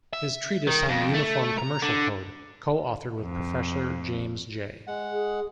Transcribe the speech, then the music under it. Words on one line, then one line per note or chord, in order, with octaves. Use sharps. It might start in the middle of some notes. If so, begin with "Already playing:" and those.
His treatise on the Uniform Commercial Code, co-authored with Professor James J.
E5
D#3
F2
A3
A#5
D3
F2
G#3 F#5
G#4